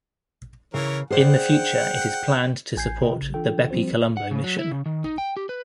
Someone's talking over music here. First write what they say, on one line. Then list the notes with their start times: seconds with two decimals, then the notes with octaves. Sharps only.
In the future it is planned to support the BepiColombo mission.
0.74 C#3 E3 A#4 C#5
1.10 G#4 C5 D5 F#5 G5
2.77 A1 G#5 G6 G#6 C7
3.01 C3 F4 D#5 G5
3.18 A1 C#3
3.34 E3 D4 F4 A4 G5
3.71 F3 G3 C4 F#4 C5
4.17 F#5
4.31 C#3
4.44 F#3
4.59 E4
4.71 C#3
4.86 D#3
5.04 D#4
5.18 G5
5.37 G4
5.49 B4